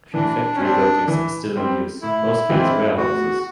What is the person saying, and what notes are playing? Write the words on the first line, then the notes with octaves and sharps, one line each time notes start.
Few factory buildings are still in use, mostly as warehouses.
E3 D4
C#4
G3 C4 D4
E3
G3 C4
A2 E4
E3 G#3 C4 F4
A2 F#4